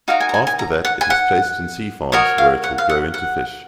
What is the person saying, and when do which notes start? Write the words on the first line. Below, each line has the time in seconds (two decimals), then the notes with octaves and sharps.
After that it is placed in sea farms where it will grow into fish.
0.08 D#4 F#4 A#4 F5
0.20 G#5
0.29 A#5
0.34 G#5
0.47 G#5
0.59 A#5
0.85 F#5
1.01 G#5
1.10 F#5
2.12 F#4 A#4 C#5 D#5
2.38 F5
2.64 F#5
2.78 F5
2.89 F#5
3.14 F#5